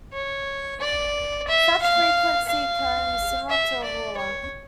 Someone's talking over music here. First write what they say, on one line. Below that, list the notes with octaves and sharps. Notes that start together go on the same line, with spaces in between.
Such a frequency comb is similar to a ruler.
C#5
D5
E5
F5
F5
E5
D5
C#5